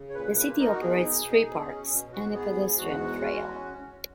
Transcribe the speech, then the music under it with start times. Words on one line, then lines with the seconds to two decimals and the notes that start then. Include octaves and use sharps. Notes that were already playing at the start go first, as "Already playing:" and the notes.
The city operates three parks and a pedestrian trail.
Already playing: C#3
0.10 C#5
0.15 A#2 B4
0.37 A#3 B4
0.59 D#4 A#4
0.73 F#4
0.80 B2 G#4
1.03 D#4
1.25 B2
1.46 B2
1.68 C#4
1.90 B2
2.12 G#2 F#4
2.34 B3 G#4
2.55 G#2 G#4
2.78 E2 F#4
2.99 G#3
3.21 C#4